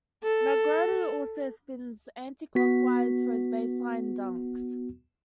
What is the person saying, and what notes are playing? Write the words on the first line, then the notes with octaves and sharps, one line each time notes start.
McGrady also spins anti-clockwise for his baseline dunks.
A4
B3 F#4 B6